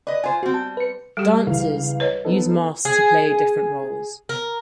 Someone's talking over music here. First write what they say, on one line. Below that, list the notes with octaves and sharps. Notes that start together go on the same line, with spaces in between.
Dancers use masks to play different roles.
B4 D5 D#5
F4 C5 G#5
G3 C4 F#4
A5
B4 C#7
G3 G4 A4
C#2 E3 F5
B4 C#5 D#5
B3 D#4 A4
G#4
A#4